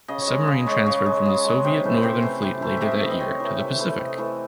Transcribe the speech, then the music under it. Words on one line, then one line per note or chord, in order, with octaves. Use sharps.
The submarine transferred from the Soviet Northern Fleet later that year to the Pacific.
C#3 D#5
C#5
G#3
C#3 D#5
G#3 C#5
C#3 C#5
G#3
C#3
G#3
C3
E3 A3
C3 C5
E3 A3
C3
E3 A3
C3 D#5 E5
E5
E3 A3 D#5
D#5
C3 C#5
E3 A3
C3 E5
E3 A3
C3 D#5
E3 A3